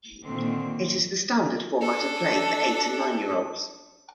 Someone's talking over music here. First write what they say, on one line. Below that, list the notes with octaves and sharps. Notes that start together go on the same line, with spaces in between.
It is the standard format of play for eight- and nine-year-olds.
A#2 D3 D#3 C4
D4 A4